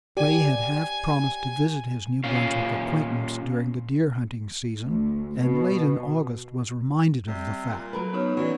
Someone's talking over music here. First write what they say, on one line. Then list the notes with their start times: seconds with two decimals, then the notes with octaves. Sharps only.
Ray had half-promised to visit his New Brunswick acquaintance during the deer-hunting season, and late in August was reminded of the fact.
0.17 G4 D5 G#5
2.24 A#2 C#4 F5
4.84 D2
5.38 B2
7.28 C3 G3
7.70 A#2
7.93 F#3 A#4 B4
8.13 F#2 B3 D#4 C#5
8.37 E3 F#3 C#4 B4 D5